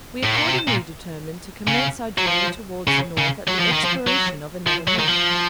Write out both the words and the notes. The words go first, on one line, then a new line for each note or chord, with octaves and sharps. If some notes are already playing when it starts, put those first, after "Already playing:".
We accordingly determined to commence our journey towards the north at the expiration of another month.
A2
A#2
C3
A#2
C#3
F#3
F3
C#3
C#3
F#3
F3
D#3
F3
F#3
F3
F#3
D#3
F3